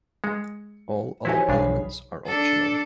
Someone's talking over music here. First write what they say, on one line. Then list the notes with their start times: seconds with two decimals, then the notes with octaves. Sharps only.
All other elements are optional.
0.24 G#3 C#7
1.25 E3 D#4 E4 F#4 G4 C5 C#5 G#5
1.49 B1 G2 D4 G#4 F5 B5
2.26 D4 A4